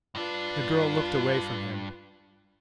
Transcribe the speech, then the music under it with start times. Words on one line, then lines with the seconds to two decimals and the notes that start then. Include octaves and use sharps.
The girl looked away from him.
0.15 G2 D4 F4 B4